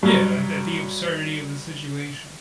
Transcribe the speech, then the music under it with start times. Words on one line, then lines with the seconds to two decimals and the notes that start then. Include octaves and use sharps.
Yeah, tha that the absurdity of the situation.
0.03 G2 F#3